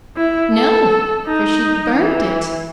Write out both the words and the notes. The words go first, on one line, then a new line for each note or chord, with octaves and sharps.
'No! for she'd burnt it.'
E4
A4
D#4
E3